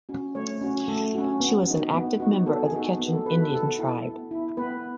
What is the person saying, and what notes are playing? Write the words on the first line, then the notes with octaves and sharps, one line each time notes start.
She was an active member of the Quechan Indian Tribe.
C#4 F#4
A3 C#5
C#4 F#4
A3 A4
C#4 F#4
B3
D#4 F#4
B3
D#4 F#4
B3 A4
G#4
D#4 F#4
G#4
B3
A4
D#4 F#4 B4
A4
B3 A4
E4
B3
E4
B3 B4